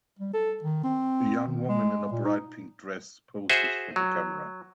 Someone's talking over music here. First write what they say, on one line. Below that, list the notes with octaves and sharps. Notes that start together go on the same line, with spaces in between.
A young woman in a bright pink dress poses for the camera.
G3
A4
D#3
C4
D#3
G#3
A#2
D#4
F#4 G#4 C5 E5
F#3